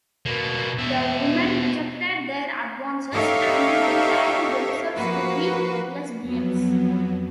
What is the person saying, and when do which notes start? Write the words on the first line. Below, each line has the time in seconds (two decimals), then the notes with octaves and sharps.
The women rejected their advances and declared themselves to be lesbians.
0.26 B2 A#3
0.79 B2 E5
3.13 D#4 G4 A4 C#5 E5 F5
4.96 F3 A#3 F#4 B4
6.22 F2 F#3 B3